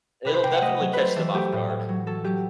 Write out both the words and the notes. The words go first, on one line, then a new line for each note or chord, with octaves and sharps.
It'll definitely catch them off guard, uh
C3 B4
C5
C3 G5
F#5
A3 D#5
F#3
A3 B4 C5
E3 A4
A3 G4
A2
A2
F#3
F#3 A4
F#3 G4